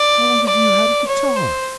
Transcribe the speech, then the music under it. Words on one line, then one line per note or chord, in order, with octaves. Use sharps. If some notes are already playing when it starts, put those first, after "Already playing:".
How long have you had a guitar?
Already playing: D5
D5
C#5
C5